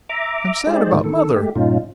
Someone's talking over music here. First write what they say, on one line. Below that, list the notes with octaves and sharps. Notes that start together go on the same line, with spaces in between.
"I am sad about mother."
E5 A#5 D6
G#3 D#4 G4 G#4 C5 D5
A2 D3 D#3 G#3 A#3
D#3 A4
G#3 A3 G4
G2 A#2 C#4 D#4 F4